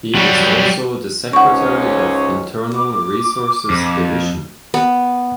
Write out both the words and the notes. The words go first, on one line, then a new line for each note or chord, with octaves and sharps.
He is also the secretary of Internal Resources Division.
F#3 G3
C#2 G#2 C#4 F#5 C#6
D6
F2
B3